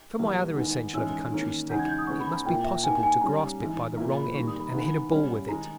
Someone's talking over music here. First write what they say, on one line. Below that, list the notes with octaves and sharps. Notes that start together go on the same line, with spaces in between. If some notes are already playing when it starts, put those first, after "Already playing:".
And, for my other essential of a country stick, it must be possible to grasp it by the wrong end and hit a ball with it.
E2 B2 G3 A#3 E4
D#3 G#3 B3 D#4
G#2 E3 G#3 C#4 E4 E6
D#3 A#3 C#4
E2 C#3 G#3 D#4 G6
G#6
G6
D#6
C#3 G#3 B3 D#4 C#6
B5
A#5
A#2 A#3 E4 G5
E5
B2 A#3 D#4 G#5
G#5
G#2 G3 C#4 A#5
G#2 E3 G#3
A#2 A#3 E4 A#5
B5
G2 D#3 G3 A#3 C#6
D#6
B5
D#3 G#3 B3 E4 A#5
B5
B2 G3 C#4 E4
D#3 G#3 D#4 A#5